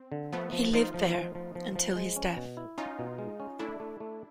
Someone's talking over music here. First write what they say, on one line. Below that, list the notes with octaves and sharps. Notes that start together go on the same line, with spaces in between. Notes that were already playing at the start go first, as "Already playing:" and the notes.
He lived there until his death.
Already playing: C4
D3
F3 A3 B3
F3
F3 D#4 F4
F3
F3
F3
F3
F3
G#3
C#4
B2
E4
C#4 D#4 F4
B2
G#3
C#4
A3 D4 E4
A3
A3